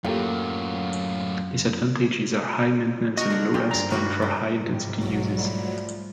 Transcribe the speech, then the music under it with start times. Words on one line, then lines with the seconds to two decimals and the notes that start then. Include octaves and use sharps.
Disadvantages are high maintenance and low life-span for high intensity uses.
0.05 F#2 A2 F#3 A#3 F4 G4 A4
3.17 F#4 A#4 D#5
3.30 D3 C#5
3.54 A#2 F4 G4
3.71 G2 C4 D5 A#5
3.90 A#3 F#4 B4
4.22 A#2
4.67 G#2 F3 G3
5.01 B1 F#3
5.34 F3 G3 A3